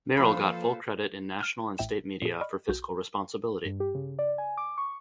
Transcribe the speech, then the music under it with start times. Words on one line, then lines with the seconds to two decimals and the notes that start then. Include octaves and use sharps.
Merrill got full credit in national and state media for fiscal responsibility.
0.17 F3 A#3 F4 A4 B4 C5 B5
1.39 F6 F#6 G#6
1.78 A1 A2 E5 G5 E7
2.22 A#2 G#4
2.41 D5 D#5 B5 C#6 F6
2.69 B1 F#4 G6
3.65 G2
3.80 G4
3.95 C#3
4.19 D5
4.38 G#5
4.57 D6
4.78 C#6